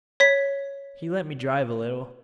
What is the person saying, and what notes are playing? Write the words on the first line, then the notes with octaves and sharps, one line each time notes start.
He let me drive a little.
C#5 B6